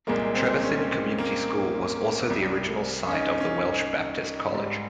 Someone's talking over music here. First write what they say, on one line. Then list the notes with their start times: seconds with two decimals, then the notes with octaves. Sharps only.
Trevethin Community School was also the original site of the Welsh Baptist College.
0.07 C2 A#2 G#3 A#3
0.35 C4
0.63 C#4
1.18 A#3
2.30 C2 C3 G3
3.08 C#4
3.13 D#4
3.40 C#4
4.53 G#2 G3